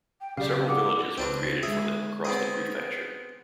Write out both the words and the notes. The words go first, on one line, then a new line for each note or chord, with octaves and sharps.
Several villages were created for them across the prefecture.
G5
B1 C#3 G4 D5 F5
G#4 F#5 D6
C#2 C4 D4 B4
D3 G#3 G#4 E5
B3 C4 G#4